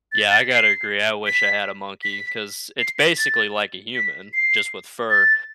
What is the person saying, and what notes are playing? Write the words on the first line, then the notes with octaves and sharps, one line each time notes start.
Yeah, I gotta agree, I wish I had a monkey, 'cause it's basically like a human, just with fur,
A6
A6
C7
B6
B6
C7
B6
A6
B6
C7
A6